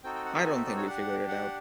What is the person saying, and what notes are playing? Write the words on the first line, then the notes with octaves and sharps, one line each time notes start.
I don't think we figured it out.
C4 D#4 F#4 A4 G5
G5
F#5
G5
G#5
E5
D5
C#5
D4 G4 F#5
F#5